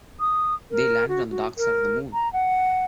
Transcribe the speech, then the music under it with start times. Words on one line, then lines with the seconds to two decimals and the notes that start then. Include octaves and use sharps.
They landed on the dark side of the moon.
0.20 D#6
0.71 A#4
1.09 F#4
1.31 F#4
1.58 A#4
2.13 A#5
2.33 F#5